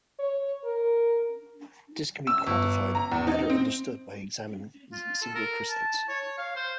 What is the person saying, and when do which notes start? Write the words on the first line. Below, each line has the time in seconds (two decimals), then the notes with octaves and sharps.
This can be quantified and better understood by examining single crystals.
0.19 C#5
0.64 A#4
2.27 E6
2.47 G1
2.95 A#5
3.12 E2
3.27 D#4
3.50 C4
4.92 F4
5.22 A4
5.35 A#4
5.69 A5
6.09 C#5
6.38 F5
6.56 C5